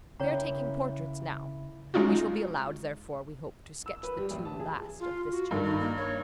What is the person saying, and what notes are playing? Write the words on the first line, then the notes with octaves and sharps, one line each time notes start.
We are taking portraits now; we shall be allowed, therefore, we hope, to sketch the two last of this chapter.
C#3 E4 C#5 G5 A#5
G#3 C#4 D#4 F4 F#4
E6
B4
G3
A1
A5
G#4
F4
F#4
G2 D#3 A4
D#4
A#3
C#5